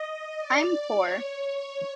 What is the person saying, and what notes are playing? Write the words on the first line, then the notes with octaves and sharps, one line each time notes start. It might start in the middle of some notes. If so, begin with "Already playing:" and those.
I’m poor.
Already playing: D#5
D5
C#5